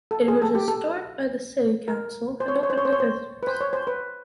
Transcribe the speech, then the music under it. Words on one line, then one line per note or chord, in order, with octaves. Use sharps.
It was restored by the city council and opened to visitors.
A4
G#4
A4
G4
A4
A#4
C5
C#5
C5
C#5
C5
C#5
C5
C#5
C5
B4
C5
C#5
C5
B4